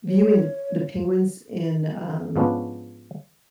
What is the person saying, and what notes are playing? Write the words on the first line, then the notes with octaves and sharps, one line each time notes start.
viewing the p the penguins and, um
C#5
G#2 F3 B3 C#4 D4